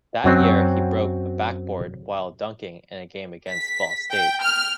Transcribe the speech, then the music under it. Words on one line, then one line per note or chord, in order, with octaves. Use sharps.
That year he broke a backboard while dunking in a game against Ball State.
F#2 F#3 C4
B6
G5
F6